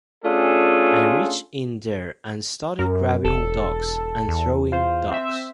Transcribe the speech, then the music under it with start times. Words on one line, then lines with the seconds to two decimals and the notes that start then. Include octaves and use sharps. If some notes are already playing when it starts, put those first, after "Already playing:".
I reached in there and started grabbing dogs and throwing dogs.
0.25 A3 C#4 D4 F4 G#4 A4
2.79 F#2 A#4
3.25 E1 A4
4.28 E2
4.72 F4 C5
5.11 C4 E5